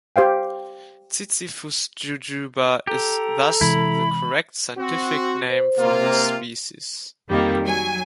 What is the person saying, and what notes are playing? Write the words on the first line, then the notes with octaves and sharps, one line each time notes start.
"Ziziphus jujuba" is thus the correct scientific name for this species.
G4 C5 F5 G5
G4 A4 A#5
C3 E3 G#3 E4 B5
C4 F#4
C5
C3 A#3 F4
F2 D#3 G3 A#3
F#3 G#5